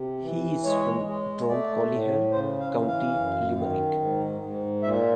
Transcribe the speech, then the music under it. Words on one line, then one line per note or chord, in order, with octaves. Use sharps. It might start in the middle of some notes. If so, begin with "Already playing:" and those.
He is from Dromcolliher, County Limerick.
Already playing: C3
E3
G#3 C#5
G#3
A3 D5
A2
C#3 C5
F5
E3
F5
F#2
D#3
G#2
G#2
A#2 E5